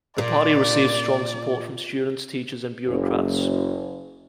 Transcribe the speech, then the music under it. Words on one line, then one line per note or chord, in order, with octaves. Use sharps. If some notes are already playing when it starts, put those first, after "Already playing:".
The party received strong support from students, teachers and bureaucrats.
A#2 D5
F#1